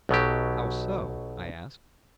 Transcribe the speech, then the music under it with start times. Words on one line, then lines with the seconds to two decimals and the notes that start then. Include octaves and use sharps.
"How so?" I asked.
0.09 B1 B2 F#3 G4